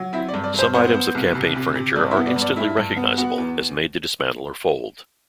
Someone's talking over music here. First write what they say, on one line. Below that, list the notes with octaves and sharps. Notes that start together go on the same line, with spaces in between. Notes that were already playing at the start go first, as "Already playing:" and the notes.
Some items of campaign furniture are instantly recognizable as made to dismantle or fold.
Already playing: F#3
C4 E4 E5
D5
G2
D5
G2 C5
B3 C5
B3
C2
C3
C3
C3
G2 D5
E4 E5
B3
D5
G2
D5
G2 E4 E5
G2
B3
B3 F#4 F#5
E2